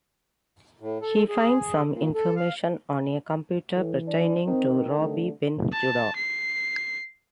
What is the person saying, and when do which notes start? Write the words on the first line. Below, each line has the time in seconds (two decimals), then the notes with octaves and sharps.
He finds some information on a computer pertaining to Rabbi Ben-Judah.
0.80 A2
1.02 A4
1.29 G#4
1.92 A#2
2.14 A4
2.36 F5
3.76 A2 E3
4.07 D4
4.47 D#3 C4
4.97 C2 D3 A3
5.72 A5
6.16 C7